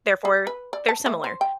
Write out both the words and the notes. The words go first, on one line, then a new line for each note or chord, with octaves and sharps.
therefore, they're similar,
G#4
B4
D5
A5
A3
C5
G5